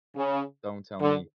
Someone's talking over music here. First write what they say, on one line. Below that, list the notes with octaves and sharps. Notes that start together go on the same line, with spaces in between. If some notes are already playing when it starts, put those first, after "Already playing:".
"Don't tell me."
C#3
D3